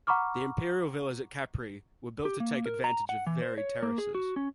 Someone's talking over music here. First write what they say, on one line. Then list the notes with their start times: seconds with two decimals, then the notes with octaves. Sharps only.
The imperial villas at Capri were built to take advantage of varied terraces.
0.07 F#5 A#5 B5 C#6 D6 F6
2.25 G4
2.40 A#3
2.66 A#4
2.84 A#5
3.09 F#5
3.27 E3
3.42 C5
3.58 C#5
3.83 A#3
3.98 G#4
4.15 F#4
4.36 C#4